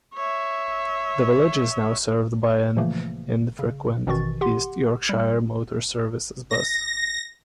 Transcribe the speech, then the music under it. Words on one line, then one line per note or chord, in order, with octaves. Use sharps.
The village is now served by an infrequent East Yorkshire Motor Services bus.
C#5 E5
A#2 C#3 E3 F3 A3 A#3
C#3
A1 B2 D#3 E3 C#6 A6
G4 F#5 C6
G3
A#6